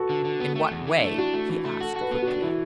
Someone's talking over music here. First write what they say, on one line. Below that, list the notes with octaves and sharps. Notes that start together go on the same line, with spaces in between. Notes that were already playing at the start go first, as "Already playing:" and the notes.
"In what way?" he asked quickly.
Already playing: F#4 A4 B4
D3
D3
B3
A3
E2
E3
A3 D4
E4
D4 F#4
A3
E3
A3
F#4 A4
F#4
B4
B3
F#4
D4
E3 E4